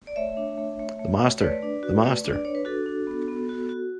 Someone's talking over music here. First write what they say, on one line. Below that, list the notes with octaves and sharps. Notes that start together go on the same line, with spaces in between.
The Master, the Master!
D5
A3 C#5 E5
D4
A3
A3
A3
A3
C#5
A3 B4 D5
D4
F#4
A3
D4
D5
D4 C#5
B4
D4 F#4 A4
D4
B3
B3
F#4
F#4